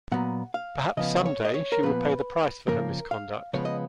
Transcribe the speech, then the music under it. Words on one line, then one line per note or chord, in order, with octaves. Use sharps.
Perhaps some day she will pay the price for her misconduct.
A#2 F#3 B3 F#5
F5
C#3 F3 B3 D#5
C#5
D#5
C#5
A#4
A#2 F3 B3 B4
C#3 F3 A#3 A#4
F5
C#3 F3 G#3 B3 C#5
D#5